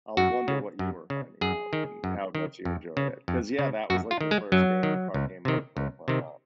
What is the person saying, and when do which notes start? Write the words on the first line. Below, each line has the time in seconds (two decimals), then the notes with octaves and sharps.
I'll wonder what you were finding out and how much you enjoy it 'cause, yeah, that was like the first game card game I ever played with my mom.
0.17 F#2 F#4
0.48 C#3
0.79 F#2
1.10 C#3
1.41 F#2 G#4
1.73 D#3
2.04 F#2
2.35 D#3
2.65 F2
2.97 C#3
3.28 F2
3.59 C#3
3.90 F#2 F#4
4.11 F4
4.21 D#3
4.31 G#3
4.52 F#2 F#3
4.83 D#3
5.14 C#2
5.45 C3 D#3
5.77 C#2
6.08 C3 D#3